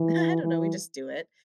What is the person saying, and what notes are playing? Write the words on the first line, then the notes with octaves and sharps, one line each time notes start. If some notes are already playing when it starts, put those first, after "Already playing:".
I don't know- we just do it.
Already playing: E3
E3